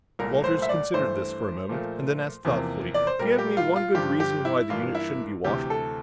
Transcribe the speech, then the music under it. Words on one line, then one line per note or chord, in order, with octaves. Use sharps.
Walters considered this for a moment and then asked thoughtfully, "Give me one good reason why the unit shouldn't be washed out."
C2 A#2 A3 A#4
C5
E5
D5
G2 E3 A3 C5
A#2 F3 A3
E2 C3 F3 A#3
D5
C5
A#2 G3 A#3 A#4
G4
F4
F4
G2 D3 F3 G4
G4
E4
G2 E3 A#3 F4
E4
D2 C3 E3 G4
A4